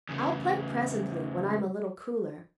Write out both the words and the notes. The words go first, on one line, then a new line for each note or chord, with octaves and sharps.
'I'll play presently, when I'm a little cooler.
E2 C#3